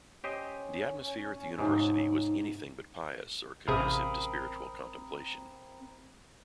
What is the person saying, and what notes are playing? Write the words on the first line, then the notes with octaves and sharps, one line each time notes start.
The atmosphere at the university was anything but pious or conducive to spiritual contemplation.
C#4 G4 C5 D#5
G#2 C3 F3 D#4
A1 C3 C4 G#4 A#4 F5 B5 D#6